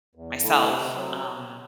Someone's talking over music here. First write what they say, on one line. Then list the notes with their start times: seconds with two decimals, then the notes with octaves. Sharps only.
myself, um,
0.15 E2
0.42 D3 A3 E4
0.69 C3
0.96 F#3 C4